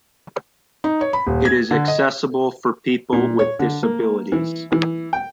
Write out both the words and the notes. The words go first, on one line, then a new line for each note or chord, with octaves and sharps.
It is accessible for people with disabilities.
D#4
C#5
B5
D#1
G#6
D3
D#5
A#2
C#5
D3
A#3
E3
E3
G5